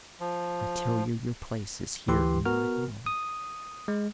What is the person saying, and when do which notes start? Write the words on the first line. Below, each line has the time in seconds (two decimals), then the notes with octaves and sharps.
I tell you, your place is here in my home.
0.20 F3
2.08 D2 E3 G4 C6
2.45 B3 F#4 A#4 F6
3.06 D#6
3.88 G#3